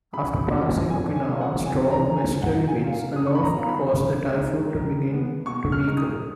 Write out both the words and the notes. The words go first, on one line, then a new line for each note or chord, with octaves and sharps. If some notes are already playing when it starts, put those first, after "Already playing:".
After passing Okinawa, strong westerly winds aloft caused the typhoon to begin to weaken.
C#3 B5
G#3 C#4
F2 G#5
G#5
D#3 G#3 C#4 F4
F#5
F2 G#5
A#5
F3 G#3
G#5
D#3 F#5
G#5
F#3 A#3 F4
F5
F#2 D#6
C#6
B5
A#5
D#3 F#3 B3 F4
B5
C#3
G#3 D#4
D#3
G#3 B3
B2 C#6
F6
G#3 D#4
D#6